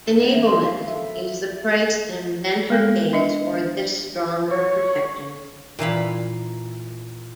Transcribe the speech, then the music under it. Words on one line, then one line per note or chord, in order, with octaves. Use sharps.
Enablement is the price an inventor pays for this stronger protection.
G#2 A#4 B4
E3 E5
D#3 F3 F#3 C6
F5
F3 B3 A4 E5
E5
G#3 B3 A4
D4 D#5 E5
C#5
A#2 E3 F5 B5